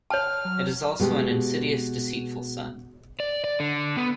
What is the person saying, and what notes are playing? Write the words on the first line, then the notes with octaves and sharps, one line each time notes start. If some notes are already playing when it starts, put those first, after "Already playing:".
It is also an insidious, deceitful sun.
C#5 A5 F6
F#3
B2 G#3 G4
D5
D5
D3
B3